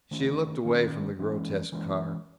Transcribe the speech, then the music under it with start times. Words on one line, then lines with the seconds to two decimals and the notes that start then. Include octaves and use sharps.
She looked away from the grotesque car.
0.11 D#3 A3 C#4
0.65 D#3 A3 C#4
1.19 E3 G#3 C#4
1.72 E3 G#3 C#4